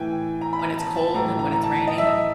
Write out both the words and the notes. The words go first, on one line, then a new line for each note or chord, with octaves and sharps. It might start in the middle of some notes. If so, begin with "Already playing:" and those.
When it's cold and when it's raining?
Already playing: A2 E3 G5 G#5
A#5
B5
A#5
A5
A5
A2 E3 A#5
A#5
A#5
A5
D#5
E5
D#5